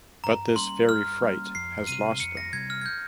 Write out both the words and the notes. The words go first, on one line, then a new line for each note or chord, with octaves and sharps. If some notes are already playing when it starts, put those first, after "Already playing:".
But this very fright has lost them.
G2 A#5
G3 A#3 C#4 C6
G2 F6
G3 A#3 C#4
F2 C7
C3 G3 C4 D#7
F2 C#7
A#6
C3 G3 C4 G#6
F6
G#6
G6